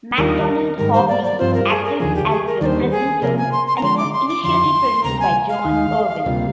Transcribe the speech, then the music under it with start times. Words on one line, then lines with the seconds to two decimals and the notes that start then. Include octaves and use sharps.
McDonald Hobley acted as the presenter, and it was initially produced by John Irwin.
0.17 D#2 D#3 G3 D4 F4 A#4
0.78 G#2 D#3 G3 A#4
0.93 C5
1.08 D5
1.24 D5
1.39 G2 F3 C4 F4 C5
1.54 A#4
1.70 G#4
1.85 A#4
2.00 D#2 D3 F3 G#4
2.15 G4
2.31 G#4
2.46 A#4
2.61 D#2 D#3 G3 A#3 D4 C5 D5
2.91 G#4
3.22 C3 F3 A#3 A#4
3.38 G#5
3.52 C6
3.67 C6
3.76 A#5
3.82 D3 F3 G#3 C6
3.97 D6
4.13 C6
4.28 D6
4.43 F2 D3 F3 C6
5.04 D2 C3 G3 A#5
5.20 G#5
5.49 F5
5.65 D#2 D#3 G#3 D#4
6.25 D2 C3 G3 A#3 F4